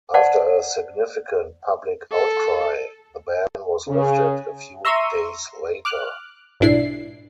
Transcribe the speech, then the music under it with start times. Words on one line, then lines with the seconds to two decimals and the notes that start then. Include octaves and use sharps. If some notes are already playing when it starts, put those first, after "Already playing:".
After a significant public outcry, the ban was lifted a few days later.
0.14 C5 D5 F#5 A5
2.12 A4
3.88 C#3
4.85 E5 A#5 C6 C#6 E6 D#7
5.85 D6 F6 F#6
6.60 B1 G#2 D4 E4 C7